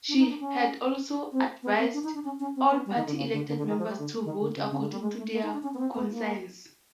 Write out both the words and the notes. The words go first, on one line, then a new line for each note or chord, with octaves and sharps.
She had also advised all party elected members to vote according to their conscience.
D4
D#4
D4
C#4
C4
B3
C4
D4
D#4
D4
C#4
C#4
C4
B3
G3
D#3
D3
C#3
D3
D3
D3
D#3
F3
G3
D3
D#3
D3
C#3
C#3
D3
G3
G#3
A3
A#3
D#4
D4
C#4
B3
C4
B3
A#3